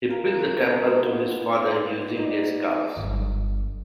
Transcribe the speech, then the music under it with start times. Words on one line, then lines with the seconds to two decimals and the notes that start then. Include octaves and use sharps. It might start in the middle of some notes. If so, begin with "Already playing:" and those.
He built a temple to his father using their skulls.
0.08 F4 A#4 F5
0.69 C3 G#3 A#3 F4
1.06 B3
2.17 D#4 D5
2.96 G1 F#3